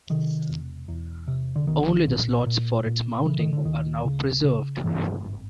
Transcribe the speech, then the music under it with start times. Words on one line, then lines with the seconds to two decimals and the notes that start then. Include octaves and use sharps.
Only the slots for its mounting are now preserved.
0.10 C3 D#3
0.49 E1
0.88 E2
1.28 C3
1.56 D3
1.67 B1 D#3
2.07 A#2
2.46 A#2
2.86 A#2
3.25 C#3 E3
3.39 D#3
3.53 D3
3.65 D2 D#3
4.05 C#3
4.44 C#3
4.83 G2 E3
5.23 G#1